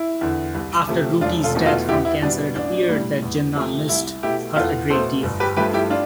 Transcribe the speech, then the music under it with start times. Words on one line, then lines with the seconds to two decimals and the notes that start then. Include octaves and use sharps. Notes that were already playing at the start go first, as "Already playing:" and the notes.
After Ruttie's death from cancer, it appeared that Jinnah missed her a great deal.
Already playing: E4
0.21 E2 D3
0.55 C2
0.87 C3 F3 A3
1.21 E1 D4 F4
1.43 F4 A4
1.55 E2 B2 A3
1.66 F4 A4
1.88 E2 E4 G4
2.05 E4
2.22 B2 G3 D4
2.39 D4
2.55 A1 D4
2.89 A2 G3
3.22 E2
3.55 C3 F3 A3
3.89 C2 E4
4.23 B2 A3 E4 G4
4.56 E2 F4 A4
4.90 B2 A3 A4 C5
5.23 G1
5.40 G4 B4
5.56 G2 F3 A3 G4 B4
5.73 E4 G4
5.90 D4 F4